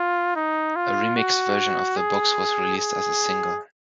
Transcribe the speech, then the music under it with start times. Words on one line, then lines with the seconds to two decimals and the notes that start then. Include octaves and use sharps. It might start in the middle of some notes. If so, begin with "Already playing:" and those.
A remixed version of "The Box" was released as a single.
Already playing: F4
0.36 D#4
0.76 F4
1.16 F#4
1.97 G#4
2.77 G#4